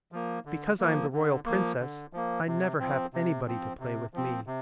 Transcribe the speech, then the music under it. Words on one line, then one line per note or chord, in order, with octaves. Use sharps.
Because I am the royal princess I never have anybody to play with me.
F3 A#3
D3
F3 A#3
D3
F3 A#3
D3
F3 A#3
C3
F3 C4
C3
F3 C4
C3
F3 C4
C3